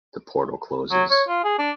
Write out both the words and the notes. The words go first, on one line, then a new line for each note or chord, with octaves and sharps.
The portal closes.
F#3
C#5
F4
G#4
D4